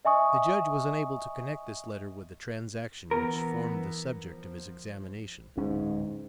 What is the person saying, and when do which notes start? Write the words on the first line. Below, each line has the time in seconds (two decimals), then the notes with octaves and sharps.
The judge was unable to connect this letter with the transaction which formed the subject of his examination.
0.05 D#5 E5 G#5 C#6 D#6
3.11 E3 B3 A#4
4.27 F3
5.57 D1 G#2 C#4